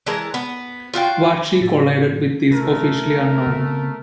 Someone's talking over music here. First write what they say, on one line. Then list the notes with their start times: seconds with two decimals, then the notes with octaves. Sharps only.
What she collided with is officially unknown.
0.06 E3 G#3 A#4 A5
0.34 B3
0.94 F4 F#4 F5 G5
1.61 A2
2.51 C3 A3 A#4
3.47 C#3 B3 C4